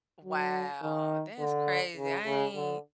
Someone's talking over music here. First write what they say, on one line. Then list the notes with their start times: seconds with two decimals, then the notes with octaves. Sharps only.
Wow. That's crazy. I ain't
0.24 F#3
0.83 D#3
1.40 D3
1.97 C#3
2.26 C#3
2.55 D3